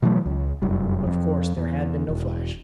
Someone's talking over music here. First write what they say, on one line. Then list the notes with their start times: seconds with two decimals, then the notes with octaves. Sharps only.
But of course there had been no flash.
0.02 B2 E3 F#3 A3
0.26 C#2
0.62 F1 F#2 G3
1.06 F2
1.57 E2
2.09 E1